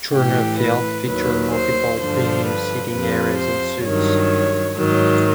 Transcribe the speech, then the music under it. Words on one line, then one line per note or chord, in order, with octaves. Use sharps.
Turner Field featured multiple premium seating areas and suites.
A2 E3 G4
B4
D#2 D#3 F#3 B4
C5
G2 D3 F3 C5
B4
F2 C3 F3 B4
C5
G2 D#3 F#3 C#5
G#2 D#3 F#3